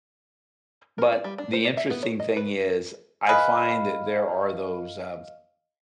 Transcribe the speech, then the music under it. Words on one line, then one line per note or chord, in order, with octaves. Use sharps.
but the interesting thing is I find that there are those, uh,
A#4
D5
G3
D4
C5
D5
E5
B3
C#5
D#5
B4
G#4 B4 D#5 F5 F6